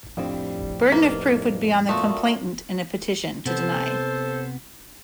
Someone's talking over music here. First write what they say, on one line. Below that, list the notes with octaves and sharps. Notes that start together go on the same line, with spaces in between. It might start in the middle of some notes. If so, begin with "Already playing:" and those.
Burden of proof would be on the complainant in a petition to deny.
F2 A2 G3 C4 D4 G4
C2 A#3 D#4 B4 D#5
A#2 A3 F#4 F5 C6 D#6
C3 B3 A4 C5